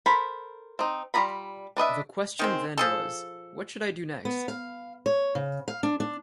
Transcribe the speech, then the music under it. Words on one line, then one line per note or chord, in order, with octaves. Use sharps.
The question then was: what should I do next?
A4 A#4 C5 B5
C4 D#4
G3 F4 G#4 A#5 B5
D4 B4 D#5 E5
D#3 G#3 C4
F3 G#4 A4
B3
F5
C#5
C#3
F5
D4
D4